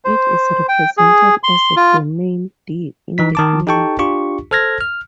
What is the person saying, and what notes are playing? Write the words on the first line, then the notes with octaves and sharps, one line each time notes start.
It is represented as a domain "D" in the plane.
C5
G5
G#4
C6
F4
E3 D#4 B6
D#3 A5 D6
D#4 G4 A4 G5 A5 C#6
D4 F4 G4 C#6
A4 C5 F6 G#6 A#6
F6